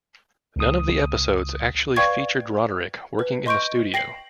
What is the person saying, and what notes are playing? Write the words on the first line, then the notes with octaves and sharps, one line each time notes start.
None of the episodes actually featured Roderick working in the studio.
C#2 D#6
B4 D5 F5 G5 C#6 G#6
B4
D#5 C6 C#6 G6 D7
G5 A#6 C7 F#7